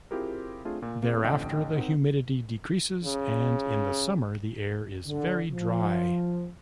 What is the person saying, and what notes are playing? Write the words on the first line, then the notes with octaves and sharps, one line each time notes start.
Thereafter the humidity decreases and in the summer the air is very dry.
C4 E4 F4 G4 G#4 A#4
A3 C4 D4 F4 G#4
A#2
A#3 C4 G#4
A1 F2 D3 D#5 G5 D7
C4 D#4 A#4 F#5
C#3
D3
F3